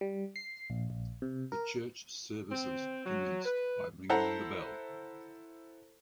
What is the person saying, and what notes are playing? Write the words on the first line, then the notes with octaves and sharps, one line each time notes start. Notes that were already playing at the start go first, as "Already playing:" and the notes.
The church services commenced by ringing the bell.
G3
C7
A#1
A#1
C3
A#4
C4
F#3
B4
E4 A4 C5 F#5 A#5